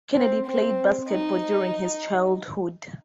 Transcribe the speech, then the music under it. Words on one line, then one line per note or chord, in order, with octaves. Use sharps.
Kennedy played basketball during his childhood.
C4
C4
D#4